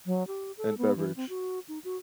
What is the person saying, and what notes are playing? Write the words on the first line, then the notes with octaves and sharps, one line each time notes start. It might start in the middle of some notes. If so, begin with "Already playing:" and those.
and beverage.
F#3
G4
A4
B3
E3
C4
F#4
D#4
F#4